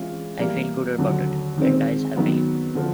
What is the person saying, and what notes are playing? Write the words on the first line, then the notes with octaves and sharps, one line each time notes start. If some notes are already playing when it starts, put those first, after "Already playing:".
I feel good about it, and dies happily.
Already playing: E3 G#3 C#4 F4
E3 G3 A#3
D#2 D3 F#3
D#3 G#3 C4
D#3 F#3 B3
D3 F3